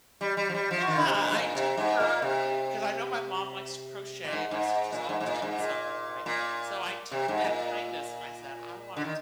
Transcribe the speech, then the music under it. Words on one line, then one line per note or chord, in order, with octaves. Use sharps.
Yeah. I took her 'cause I know my mom likes to crochet, and my sister's always doing something, right, so I took that kindness, and I said, "I want
G3
G3
F3
G3
F3
D#3
D3
C3
C3
A#2
G#2
A#2
C3
G#2
A#2
C3
A#2
G#2
G#2
A#2
G#2
G#2
A#2
G#2
A#2
A#2
C3
G#2
A#2
D3
D#3